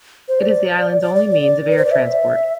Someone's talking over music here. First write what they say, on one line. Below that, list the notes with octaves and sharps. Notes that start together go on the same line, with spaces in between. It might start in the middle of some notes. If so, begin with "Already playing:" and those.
It is the island's only means of air transport.
C5
D5
D5
D5
D5
B4
C5
D5
E5